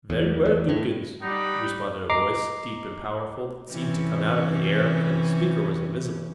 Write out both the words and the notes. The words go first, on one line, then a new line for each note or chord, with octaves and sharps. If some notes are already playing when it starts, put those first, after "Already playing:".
"Very well, Tubekins," responded a Voice, deep and powerful, that seemed to come out of the air, for the speaker was invisible.
E2
E2
A2
G3 D#4 F#5 B5 D6
D#5 A#5 D6 C7
C3 E3 C#4